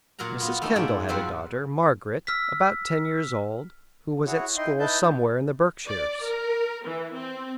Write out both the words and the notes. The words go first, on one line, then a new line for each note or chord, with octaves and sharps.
Mrs. Kendall had a daughter, Margaret, about ten years old, who was at school somewhere in the Berkshires.
A#2 F#3 A#4 F#5 A#5
B3 F4
A3 A#3 C#4 D#4
G#2 D5 E5
F2 F3 F#3 C4 B4 F#5
E6 F6 B6
E4 F#4 G#4 C#5
D#4 E4 D#5 G5 C6
D#4 E4 B4 A5 G6
D5
A#4
E3
C4